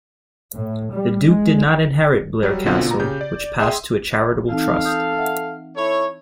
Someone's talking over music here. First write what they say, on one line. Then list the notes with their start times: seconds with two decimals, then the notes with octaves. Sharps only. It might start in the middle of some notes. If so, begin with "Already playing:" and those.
The Duke did not inherit Blair Castle, which passed to a charitable trust.
0.52 A2
0.91 G3
1.26 G#3
2.43 F#3 G3
2.66 B2 D3 C4 F4
2.87 A#2 A#5
3.00 C#3 G4 G6
3.21 D5
3.60 G#4 D#5 E5 G5 C6 D#6
4.49 E3 C4 D#4 A4 F5
4.85 D#6 G6
5.18 E5 F#5
5.76 E4 A4 C#5